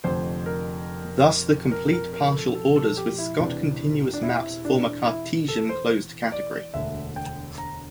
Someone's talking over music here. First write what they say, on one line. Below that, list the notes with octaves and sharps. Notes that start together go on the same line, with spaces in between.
Thus the complete partial orders with Scott-continuous maps form a cartesian closed category.
F1 F2 D3 C5
A#4
A#4
A#4
A#4
A4
A4
A4
G4
E4
E1 E2 C3 E3 D4
D4
E4
D4
E4
A4
C5
D5
E1 D2 D3 E5
G5
A#5